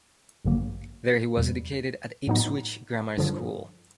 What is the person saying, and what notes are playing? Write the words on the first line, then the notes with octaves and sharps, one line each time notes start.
There he was educated at Ipswich Grammar School.
A1 G2 D3 F#3 A#3
E2 B2 G3
A2 F#3 B3 D#4
G2 D3 F3